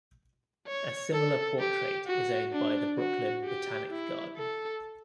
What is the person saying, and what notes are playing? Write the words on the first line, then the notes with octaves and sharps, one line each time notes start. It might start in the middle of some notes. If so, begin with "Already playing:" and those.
A similar portrait is owned by the Brooklyn Botanic Garden.
C#5
A4
G4
F#4
D4
F#4
G4
E4
A4